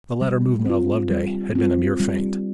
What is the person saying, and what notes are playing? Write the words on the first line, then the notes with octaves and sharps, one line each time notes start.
The latter movement of Loveday had been a mere feint.
G3
C4 F4
G3
C4 F4
G3